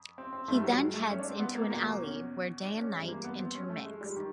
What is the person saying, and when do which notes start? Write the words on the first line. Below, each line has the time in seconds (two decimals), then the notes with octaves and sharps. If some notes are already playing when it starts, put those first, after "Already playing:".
He then heads into an alley where day and night intermix.
Already playing: F2
0.18 C4
0.33 C4
0.48 G2 D#3 A3
0.63 F#3
0.79 G#3
0.94 A3
1.10 C#4
1.19 D4
1.29 C4
1.40 B3
1.55 A#3
1.70 E2 B2 A#3
1.86 A#3
2.02 C#4
2.63 D4
2.78 C#4
2.93 G2 E3 G#3
3.08 A#3
3.24 B3
3.39 C4
3.55 C#4
3.69 A3
3.85 G#3
4.01 G3
4.17 D#3